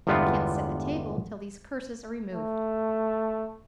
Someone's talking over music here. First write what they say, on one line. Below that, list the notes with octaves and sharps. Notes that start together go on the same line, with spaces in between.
We can't set the table till these curses are removed.
G1 E2 G3 G#3 B3 F4
A3